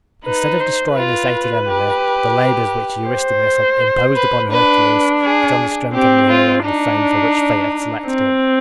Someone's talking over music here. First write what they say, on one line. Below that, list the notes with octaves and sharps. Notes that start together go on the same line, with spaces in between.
Instead of destroying his hated enemy the labors which Eurystheus had imposed upon Hercules had only strengthened the hero in the fame for which fate had selected him.
D#4 B4
C5
F4 B4
G4
C5
B4
D4 B4
G#4
C4 G4
F4
D4 D#4
C4